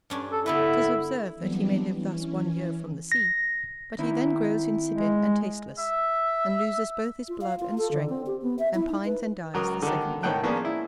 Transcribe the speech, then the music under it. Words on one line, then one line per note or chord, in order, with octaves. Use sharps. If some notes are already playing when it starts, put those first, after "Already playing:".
'Tis observed, that he may live thus one year from the sea; but he then grows insipid and tasteless, and loses both his blood and strength, and pines and dies the second year.
G2 C#4 D4
A4
D3 B3 E4 B4
E3 F#3 G3 B3 C4 D4
E3 C#4
A#6
D#3 C4 E4
G#3
E5
F4
F5
F4
A4
D3
C4
G4
B3
E5
E4
D#4
B4
C#2 F#3 A#4 D#6
D3 D#3
A2 D#3 C#5 F#5 G5 F#6
F3 A#3 B3 C#4 D4 G#4
E4